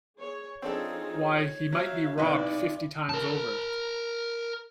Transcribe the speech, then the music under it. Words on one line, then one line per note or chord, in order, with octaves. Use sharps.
Why, he might be robbed fifty times over!
G#4 C#5
F3 C4 D4 D#4 G#4 A4 C#5
F#3 E5 F5
B1 C3 D#4 E4 B4 D5
A#4 A5